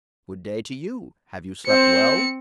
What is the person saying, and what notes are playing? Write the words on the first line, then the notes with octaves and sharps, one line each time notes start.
"Good-day to you; have you slept well?"
C4 C5 C#7